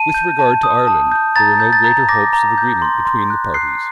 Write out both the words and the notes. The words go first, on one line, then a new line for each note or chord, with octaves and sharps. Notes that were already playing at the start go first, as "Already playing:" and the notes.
With regard to Ireland, there were no greater hopes of agreement between the parties.
Already playing: A5 D#7
G6
A5
D#6
A5
G6
A#5 A6
G6
A6
A#5
D6 A#6
A#5
G6
C6
C6
F#6
F#6 C7